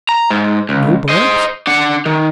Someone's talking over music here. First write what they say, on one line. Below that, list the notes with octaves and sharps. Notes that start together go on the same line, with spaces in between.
"No barbs?"
A#5
G#2
C#2
C5 D#5
D4 F#5
D#3